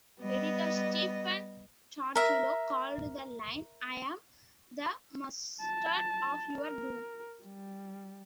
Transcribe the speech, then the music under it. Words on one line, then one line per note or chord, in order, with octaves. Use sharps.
Editor Stephen Totilo called the line I am the mustard of your doom!
G3 B3 D#5
A#4 E5
A5
A#4
G3